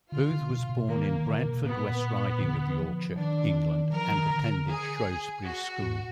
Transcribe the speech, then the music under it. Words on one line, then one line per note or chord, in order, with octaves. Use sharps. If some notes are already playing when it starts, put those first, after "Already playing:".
Booth was born in Bradford, West Riding of Yorkshire, England and attended Shrewsbury School.
D3 F4
D3
B2
B2
D#3 A#3
D#3
D3
B2
A#2 B3
D3
F3
D#3 D4
F3 A#4
D#3
D3
G#4
F#4
G#2